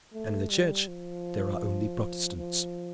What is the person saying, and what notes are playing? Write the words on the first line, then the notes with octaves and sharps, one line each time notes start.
And in the Church there are only Protestants.
A3
G3
F3
F3